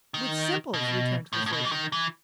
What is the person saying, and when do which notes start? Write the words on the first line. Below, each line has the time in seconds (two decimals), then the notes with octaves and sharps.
"With simples," returned the surgeon.
0.14 D#3
0.74 B2
1.33 A2
1.46 A2
1.53 B2
1.65 E3
1.72 D#3
1.92 E3